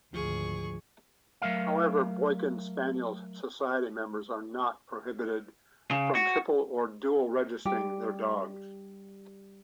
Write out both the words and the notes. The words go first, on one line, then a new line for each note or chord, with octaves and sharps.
However, Boykin Spaniel Society members are not prohibited from triple or dual-registering their dogs.
G#1 D2 F3 G#4 C#6
F#3 A3 A#4 E5 F5
C#3
F#4
G3 G4